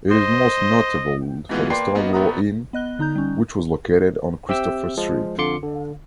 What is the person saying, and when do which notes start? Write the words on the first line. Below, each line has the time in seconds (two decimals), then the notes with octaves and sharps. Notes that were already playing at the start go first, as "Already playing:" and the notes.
It is most notable for the Stonewall Inn, which was located on Christopher Street.
0.11 C5 D#5
1.49 G#2 B2 E3 G#3 B3 F4
1.70 A#3 B4 D5 G5 C6 C7
1.95 A#3 B3 D#4 F#4
2.13 A#1 B3 A#5 D#6
2.73 B3 D#5 F#6 G7
2.99 D3 D#4 A#5 G6
3.15 G3 C#4
4.49 C4 G4 E5 G5 E6
4.97 F3 G#3
5.38 F2 D3 F4 C6 D6 C#7
5.63 D3